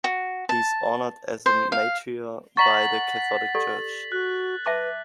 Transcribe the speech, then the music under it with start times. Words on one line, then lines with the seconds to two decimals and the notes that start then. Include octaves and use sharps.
He is honored as a martyr by the Catholic Church.
0.04 F#4
0.49 A5
1.46 C5
1.72 F5
2.57 D5 F#5 A#5 C#6 A6 B6 F#7
3.55 G4 A4 D5
4.12 F#4 F#6
4.66 B4 E5 A5 D6